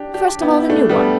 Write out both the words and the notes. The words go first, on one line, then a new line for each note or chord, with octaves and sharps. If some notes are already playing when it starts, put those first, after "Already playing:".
"First of all, the new one."
Already playing: D4 G4
D4 G4
B3 E4
A3 D4
G3 B3